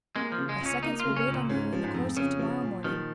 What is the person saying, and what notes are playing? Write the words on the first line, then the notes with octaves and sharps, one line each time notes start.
My seconds will wait on you in the course of to-morrow morning.
G#3 A#3
F3
C#3
G#3
C#2
C#4
A#3 D#4
F4
C#3
C#4
C#2
A#2
G#2 C#4
F3
G#2
F2
C#3 C#4
F3
A#2
D#3 F3